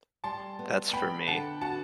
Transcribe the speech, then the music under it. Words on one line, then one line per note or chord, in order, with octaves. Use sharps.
That's for me.
G3 A5 C6
B3
B3 G5 B5
D3 F#5 A5
F#4 F#5 A5